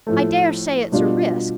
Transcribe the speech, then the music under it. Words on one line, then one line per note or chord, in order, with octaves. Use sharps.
I dare say it's a risk.
A2 F3 A3
B2 G3 D4 F4